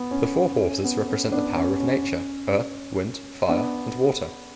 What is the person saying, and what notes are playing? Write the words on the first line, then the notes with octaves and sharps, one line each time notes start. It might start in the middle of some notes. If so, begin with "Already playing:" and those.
The four horses represent the power of nature: earth, wind, fire and water.
Already playing: B3
C#4
C#4
B3
C#4
B3 D4
C#4
C#4
B3 D4